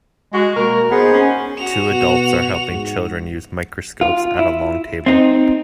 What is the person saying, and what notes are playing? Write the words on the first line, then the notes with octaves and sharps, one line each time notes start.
Two adults are helping children use microscopes at a long table.
G#3 F#4
B2 A#3 A#4
B3 D#4 G#4 C5
C#4
F#4 F7
B2
G#2
F4
E4
C4 D#4